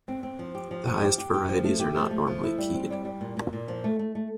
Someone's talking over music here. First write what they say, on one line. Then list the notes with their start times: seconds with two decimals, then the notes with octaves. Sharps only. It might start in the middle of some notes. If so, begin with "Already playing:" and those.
The highest varieties are not normally keyed.
0.08 C4
0.23 C4
0.39 F3
0.55 G4
0.71 F3
0.87 F3
1.02 G4
1.18 G4
1.34 G4
1.49 F3
1.65 A3
1.80 G4
1.95 F3
2.11 A3
2.27 F3
2.43 E4
2.58 G3
2.74 C4
2.90 G3
3.05 G3
3.21 A#2
3.37 A#2
3.53 A#2
3.68 F3
3.84 A3
3.99 A3
4.15 A3